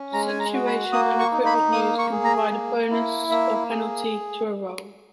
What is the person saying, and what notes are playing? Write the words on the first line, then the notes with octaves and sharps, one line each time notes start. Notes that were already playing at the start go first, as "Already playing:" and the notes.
Situation and equipment used can provide a bonus or penalty to a roll.
Already playing: C#4
G#3 A#5
G#5
A#5
F#4
B5
A#3 D#6
C#6
D#4
B5
A#3 D#6
C#6
G#4
A#5
A#3
E4
A#3 E5
G#4